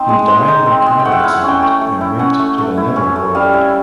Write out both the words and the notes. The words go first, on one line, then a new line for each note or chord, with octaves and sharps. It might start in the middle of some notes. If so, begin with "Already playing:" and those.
He died in a car accident and went to the netherworld.
Already playing: C4 D#4 C5
G#3
G#3
D#4
C4
G#3
G5
A3 F#5
E5
E4 F5
F#5
C#4 G5
A3
A3
E4
C#4 F#5
A3
A3
E4
C#4
A3
G3 F5
E4